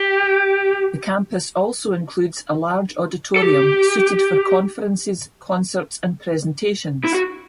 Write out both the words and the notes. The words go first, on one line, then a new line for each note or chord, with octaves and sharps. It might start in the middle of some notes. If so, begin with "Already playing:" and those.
The campus also includes a large auditorium suited for conferences, concerts and presentations.
Already playing: G4
A4
G4
E4
F#4